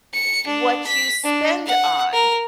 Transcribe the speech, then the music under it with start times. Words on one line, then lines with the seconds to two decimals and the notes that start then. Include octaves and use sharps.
what you spend on,
0.13 C#7
0.47 D4
0.87 B6
1.24 D4
1.66 F#5
2.13 A#4